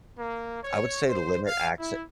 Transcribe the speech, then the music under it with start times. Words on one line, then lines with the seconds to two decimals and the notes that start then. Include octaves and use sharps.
I would say to limit acce an
0.17 A#3
0.62 C#5
1.08 C5
1.45 F5
1.78 E4